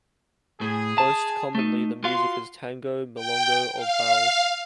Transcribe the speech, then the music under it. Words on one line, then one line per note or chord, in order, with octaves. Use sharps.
Most commonly the music is tango, milonga or vals.
A2 G#4
A5
A3 D#4
F4 F#4 F5 C6
G5
F5